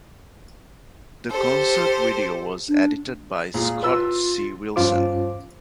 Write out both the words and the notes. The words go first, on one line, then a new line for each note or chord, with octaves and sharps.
The concert video was edited by Scott C. Wilson.
G4 A4 C5
D4
A#2 F4 G#4
F4 B4 E6
G2 C#4 F4 C5 D6